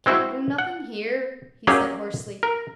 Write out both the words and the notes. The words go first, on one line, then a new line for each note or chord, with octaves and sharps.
"Can't do nothin' here," he said hoarsely.
G#3 C4 E4 F#4
F#5
F#3 A#3 C#4 G4 G#4 D#5
A#4